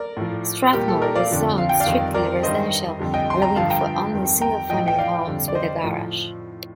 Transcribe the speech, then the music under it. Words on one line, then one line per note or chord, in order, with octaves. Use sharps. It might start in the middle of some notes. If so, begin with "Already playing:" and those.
Strathmore was zoned strictly residential, allowing for only single-family homes with a garage.
Already playing: A#4 D5
A2 F3
A#2 G3 G4 A#4
A4
A#4 D5
D5 F5
F2 D3 F3
F5
G5
D5 F5
F2 D#3 G3
A#4 D5
G2 D#3 G3 C5 D#5
F2 D3 G3
D#5 G5
C6
G5 A#5
G2 D3 F3 F5 A5
G5 A#5
F2 D#3 G3
G5 A#5
A2 F3 D#5 G5
G5
D5 F5
F2 D3 G3
D5
C5 D#5
A2 F3